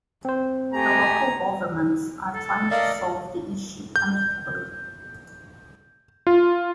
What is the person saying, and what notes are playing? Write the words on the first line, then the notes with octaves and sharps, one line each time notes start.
The local governments are trying to solve the issue amicably.
C4 C5
A3 G4 G#5 A#5
A4
A4 A#4 D5 D#5 F5
G6
F4